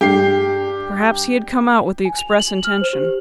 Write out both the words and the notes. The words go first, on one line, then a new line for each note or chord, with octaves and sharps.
Perhaps he had come out with the express intention.
G2 G4 C7
G#5
F7
F#7
F6
C5
G4